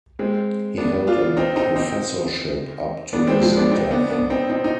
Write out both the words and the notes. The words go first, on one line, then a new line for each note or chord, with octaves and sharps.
He held a professorship up to his death.
G#3 C4
B3 D4
D4 F4
C4 D#4
C4 D#4
C4 D#4
B3 D4
G#3 C4
F3 G#3
B3 D4
C4 D#4
B3 D4
B3 D4
C4 D#4
C4 D#4
D#4